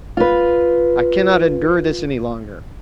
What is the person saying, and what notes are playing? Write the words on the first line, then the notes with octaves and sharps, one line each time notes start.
I cannot endure this any longer.
F4 B4